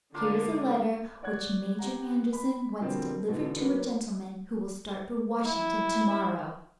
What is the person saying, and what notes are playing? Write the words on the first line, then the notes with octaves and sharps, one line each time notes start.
Here is a letter which Major Anderson wants delivered to a gentleman who will start for Washington to-morrow.
D3 G#3 A#3 D4 F4
C#5 D5 F#5 F#6 G#6
C4 G4 F#5 A#5
B5
B2 D3 F3 G3 A#3 C4
G#2 B2 D3 E3
F#3 A#3 B3 D4
E4